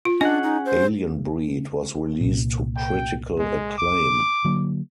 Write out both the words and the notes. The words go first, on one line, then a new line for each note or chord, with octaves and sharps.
"Alien Breed" was released to critical acclaim.
F4
C#4 D4 G#4 D#5 F#5
D#4
C5
C2 A#2
G5
G#3
D6
D3 F#3 A#3